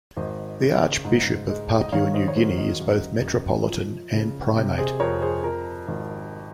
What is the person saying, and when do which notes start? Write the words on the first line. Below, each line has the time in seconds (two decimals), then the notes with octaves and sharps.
The Archbishop of Papua New Guinea is both Metropolitan and Primate.
0.16 G#1 C5 D#5
0.61 C#3
1.05 G#2
1.48 G#3
1.81 D#5
1.92 D#3 C#5 F5
2.14 C5 D#5
2.28 C#5
2.36 F#3 C5 D#5
2.58 C5 D#5
2.80 F#2
3.24 F#2
3.68 F3
4.12 C#3
4.56 C3
4.78 G#4 C5
5.00 F2 A#4 C#5
5.22 G#4 C5
5.44 F3 A#4
5.88 G#1